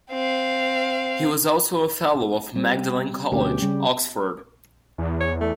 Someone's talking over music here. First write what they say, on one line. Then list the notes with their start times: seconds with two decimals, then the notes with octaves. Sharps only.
He was also a Fellow of Magdalen College, Oxford.
0.11 C4 F5
2.55 G3 C4
3.32 D2 B2 C#4 G4
3.62 C#3 G3
4.98 E2
5.21 C#5
5.41 A3